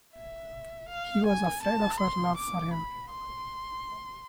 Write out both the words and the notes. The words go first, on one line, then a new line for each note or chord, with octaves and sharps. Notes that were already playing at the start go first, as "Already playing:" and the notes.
He was afraid of her love for him.
E5
F5
G#5
A5
C6
D6
B5
C6